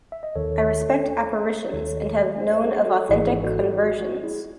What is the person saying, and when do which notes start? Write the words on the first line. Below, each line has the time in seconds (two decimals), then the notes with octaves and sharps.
I respect apparitions and have known of authentic conversions.
0.12 E5
0.23 D#5
0.36 D#2 D#3 A4 C#5
1.73 D#2 D#3 A4 C#5
2.41 C5 D#5
2.63 G#4 C5
2.86 F#4 A4
3.09 G#1 G#2 E3 E4 G#4
3.43 F#4 A4
3.77 F#4
4.01 F#4
4.23 E4 G#4